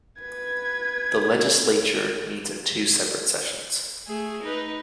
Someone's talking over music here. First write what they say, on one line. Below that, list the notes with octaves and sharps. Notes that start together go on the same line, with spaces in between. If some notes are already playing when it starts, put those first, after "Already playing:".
The Legislature meets in two separate sessions.
B4 G#6
A3 G#4
D#4 B4